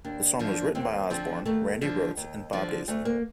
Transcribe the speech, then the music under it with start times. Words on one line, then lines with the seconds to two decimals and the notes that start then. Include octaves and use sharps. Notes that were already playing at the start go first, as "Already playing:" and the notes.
The song was written by Osbourne, Randy Rhoads and Bob Daisley.
0.04 D#2 D4
0.39 D3 F3
0.75 D#2 C4
1.10 D3 F3 C4
1.45 D#2 A3
1.82 D3 F3
2.17 D#2
2.53 D3 F3
2.88 D2 A3
3.05 A#3